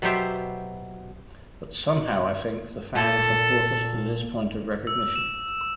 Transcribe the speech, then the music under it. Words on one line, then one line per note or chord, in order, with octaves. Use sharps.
But somehow, I think, the fans have brought us to this point of recognition.
B2 F#3 B3 G4 C5 E5
A#2 A4
E6
E7